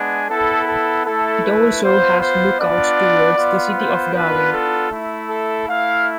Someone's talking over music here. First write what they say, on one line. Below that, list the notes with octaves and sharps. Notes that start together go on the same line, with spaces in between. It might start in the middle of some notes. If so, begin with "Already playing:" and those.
It also has lookouts towards the city of Darwin.
Already playing: G#3 B3 D4 G#5
B3 E4 A4
A4
A3 E4 A4
B4
B3 F4 C5
C5
B3 D4 F4 D5
B3 F4
C5
B3 D4 F4 B4
A4
A3 E4
A4
A3 E4 F5